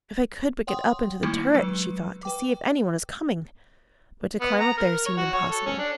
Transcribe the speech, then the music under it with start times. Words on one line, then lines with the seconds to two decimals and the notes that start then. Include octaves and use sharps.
'If I could but get up into the turret,' she thought, 'to see if any one is coming.' But to climb up there seemed impossible.
0.67 C#5 F#5 G5 C6 D#6
1.23 D#3 G3 A3 A#3 D#4 E4
1.55 F#3 G#3 B4 C#7
2.23 B4 G5 D6
4.41 B3
4.60 A#5
4.77 A#4
5.06 C#5
5.17 F#4
5.33 C#5
5.51 A4
5.66 C#4
5.78 D4